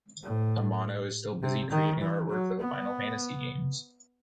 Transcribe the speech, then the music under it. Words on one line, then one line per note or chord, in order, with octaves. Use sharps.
Amano is still busy creating artwork for the Final Fantasy games.
A2
C3
D#3
E3
F#3
B3